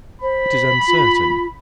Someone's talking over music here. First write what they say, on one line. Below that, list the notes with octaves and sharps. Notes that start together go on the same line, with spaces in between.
It is uncertain.
C5 B5
F4